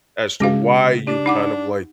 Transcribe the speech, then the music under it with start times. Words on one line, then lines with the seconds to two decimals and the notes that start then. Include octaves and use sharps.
as to why you kind of like
0.40 C#3 G#3 C#4 F#4 F5
1.07 D4 G4
1.26 D#4 F#5 D6